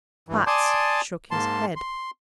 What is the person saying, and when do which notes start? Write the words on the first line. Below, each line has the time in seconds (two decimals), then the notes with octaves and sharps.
Platts shook his head.
0.29 G2 E3
0.47 D5 G#5 A5 C6 D6 D#6
1.31 G#2 A#3 A5 C6
1.76 C6